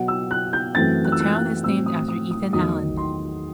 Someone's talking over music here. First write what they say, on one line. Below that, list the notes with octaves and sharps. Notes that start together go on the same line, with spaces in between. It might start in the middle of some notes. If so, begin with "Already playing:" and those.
The town is named after Ethan Allen.
Already playing: B2 F#3 B3 F#5
E6
F#6
G6
F#2 E3 A3 C4 A6
F#6
E6
F#6
F#6
A2 F#3 A3 C4 E6
D#6
D#6
D#6
E2 D#3 F#3 A3 D#6
C6